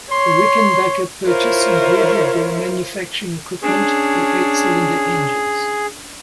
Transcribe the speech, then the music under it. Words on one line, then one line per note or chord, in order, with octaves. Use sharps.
The Rickenbacker purchase included their manufacturing equipment for eight-cylinder engines.
C#5 C6
E4 F4 A#4 C5 C#5
C#4 D4 G#4